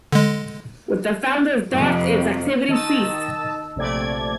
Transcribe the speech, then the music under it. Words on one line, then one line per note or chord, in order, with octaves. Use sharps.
With the founder's death, its activities ceased.
D3 G#3
F2 C3
D#3 D#5 A5 E6
A#1 C3 A3 D5 G#6